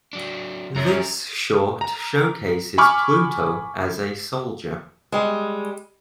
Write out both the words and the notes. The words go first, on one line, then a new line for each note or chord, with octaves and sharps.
This short showcases Pluto as a soldier.
F#3 D4
F#2 A#5
A#5
G#5 B5 C#6 D6 F6
G3 G#3